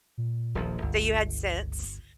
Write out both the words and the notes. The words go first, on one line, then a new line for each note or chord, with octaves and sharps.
So you had sense.
A#2
D#1 A#1 F3
G1 C#2